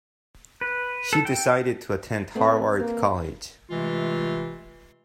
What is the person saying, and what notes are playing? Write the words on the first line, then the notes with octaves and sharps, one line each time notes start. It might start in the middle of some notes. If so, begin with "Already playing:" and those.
She decided to attend Harvard college.
B4
A4
G5
A3 B3 C4
A#3
C3 E3 G#3 A3 F4